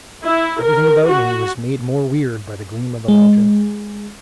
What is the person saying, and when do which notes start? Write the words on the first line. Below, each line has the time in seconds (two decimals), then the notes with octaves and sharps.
Everything about me was made more weird by the gleam of the lantern.
0.25 E4
0.61 A#4
1.07 F#4
3.08 G#3